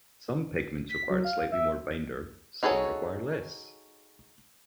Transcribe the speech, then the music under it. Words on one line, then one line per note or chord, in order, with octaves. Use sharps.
Some pigments require slightly more binder, some require less.
B6
F#3
F5
E5
D#4 F#4 G#4 A4 C#5